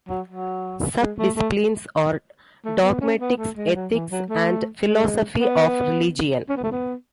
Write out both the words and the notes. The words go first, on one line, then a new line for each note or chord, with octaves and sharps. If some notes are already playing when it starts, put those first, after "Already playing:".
Subdisciplines are dogmatics, ethics and philosophy of religion.
F#3
F#3
G#3
A3
A3
A3
B3
C#4
B3
A3
G#3
F#3
E3
F#3
A3
G#3
B3
C#4
B3
A3
B3